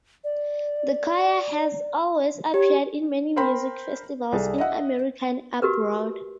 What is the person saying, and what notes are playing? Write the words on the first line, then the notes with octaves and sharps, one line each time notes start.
The choir has also appeared in many music festivals in America and abroad.
D5
G4 C#5
A#4 C5 G5 B5 C6
C2 G#4 A4
D#5 E5 F#5
F#4 G4 A#4 B4